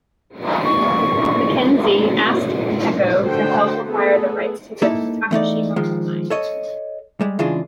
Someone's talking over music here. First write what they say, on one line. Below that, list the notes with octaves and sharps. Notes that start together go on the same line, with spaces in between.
Mackenzie, asked Heco to help acquire the rights to the Takashima coal mine.
C#6
D3 A3 F#4 C5 G5
A3 B3 G#4 A4
A#3 D#4 E4 A4
E2 A3 D#4 D5
D#3 F3 G#3
A4 C#5 D#5
G3 G#3
C#3 E3 G#3 D4 F4 G#4